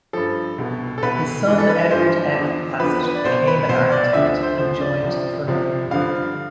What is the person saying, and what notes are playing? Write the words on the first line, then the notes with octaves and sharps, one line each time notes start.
His son, Edward F. Fassett, became an architect and joined the firm.
G2 F3 A4
C2 B2
A4
C2 B2 B4
G2 E3
A4
B4
G2 E3 C5
E2 D3 F3
E2 D3 F3 B4
B4
D5
C2 B2 C5
B4
C2 B2 C5
D5
D2 D3 F3 E5
C5
D2 D3 F3 C5
D5
C2 C3 F3
C2 C3 F3
G2 D3 F3 F5